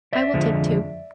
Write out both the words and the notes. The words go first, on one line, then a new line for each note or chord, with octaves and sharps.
I will take two.
D5 E5
F2 D3 F3 G#3